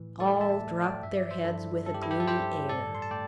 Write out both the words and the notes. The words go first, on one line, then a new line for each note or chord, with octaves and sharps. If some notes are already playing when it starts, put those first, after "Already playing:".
All dropped their heads with a gloomy air.
Already playing: A2 E3
A2 A4 D5
E5 A5
A3
D5 G5
G2 E5
D5
C5 E5
G2 E4 A4
G2 A4
G4
E4
G4
A4
G3 G4 C5
A2 A4 D5
C6
A5
A3 D5 G5